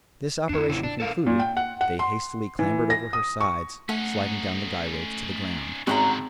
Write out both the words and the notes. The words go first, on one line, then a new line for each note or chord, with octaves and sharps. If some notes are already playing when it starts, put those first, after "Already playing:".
This operation concluded, they hastily clambered over her sides, sliding down the guy ropes to the ground.
F2 D4 E4
A#2 C#3 E4
A#1 D4
A4 A#4 F5
A#2
G5
F#5
F#5
C6
E3
A#6
D#6
C#6
A3 C#4 D#4 F#5
G#1 A2 D3 C#4 F#5 A#5